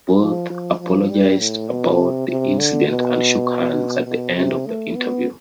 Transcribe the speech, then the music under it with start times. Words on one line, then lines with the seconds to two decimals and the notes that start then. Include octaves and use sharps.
Both apologised about the incident and shook hands at the end of the interview.
0.21 F3
0.51 F3
0.80 F3
1.10 G3
1.39 A2
1.70 B2
1.99 C3
2.29 C3
2.59 D3
2.88 B2
4.07 B2
4.37 C3
4.66 A3
4.96 B3